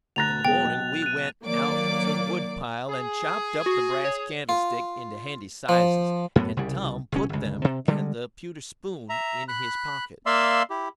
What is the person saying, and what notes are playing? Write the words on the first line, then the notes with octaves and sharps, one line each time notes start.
In the morning we went out to the woodpile and chopped up the brass candlestick into handy sizes, and Tom put them and the pewter spoon in his pocket.
D2 A#5 F#6 A6 A#6 F7
E1 G#4 G5
B1
F#6 D#7
D#3 F#3 A#3 D5 D6
G#4
F#4
C#5
F4
F3
F#2 A2 B3
C2 C#3 G3
C#2 B2 C#4
G1 C#2
C3
D3 G3 G#3
E5 A#5
B5 F#6
A#3 D5 E5 F5 C6 E6
E4 G4